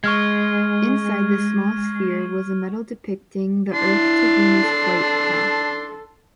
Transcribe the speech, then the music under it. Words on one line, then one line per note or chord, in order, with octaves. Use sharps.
Inside this small sphere was a medal depicting the Earth-to-Venus flight path.
G#3 C#6 F6 G#6
D4 E4 C6
A4